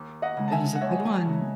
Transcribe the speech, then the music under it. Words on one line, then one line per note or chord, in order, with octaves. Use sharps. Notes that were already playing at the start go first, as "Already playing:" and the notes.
It was a good one.
Already playing: D#2
D#5 F#5
C#3 G#3 D#4
A5
E5 G#5
F#5
D#2 C#5 E5
C#3 G#3 D#4